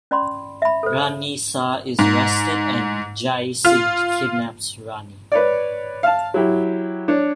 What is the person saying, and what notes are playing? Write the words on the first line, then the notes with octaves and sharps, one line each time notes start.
Rani Sa is arrested and Jai Singh kidnaps Rani.
C#4 D5 B5 C6
E5 B5
A4 C5
G#2
F4
B4 C#5 D5
F5 A5
F#3 E4 G4
D4 C#5